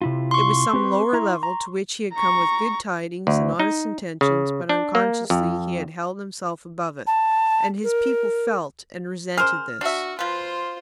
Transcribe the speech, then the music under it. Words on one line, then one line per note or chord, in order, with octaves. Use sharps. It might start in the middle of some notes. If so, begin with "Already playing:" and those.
It was some lower level to which he had come with good tidings and honest intentions but, unconsciously, he had held himself above it, and his people felt and resented this.
C3 E4 F4
C6 C#6
C4 G4 B4
E4 A#5
A#5
A#5 C#6
D2
D#4
C#3
D4
A#3
F2
A5
A#4
G#4 A#4 C5 F6
D4 F#4 E5
F3 F4 B4 C5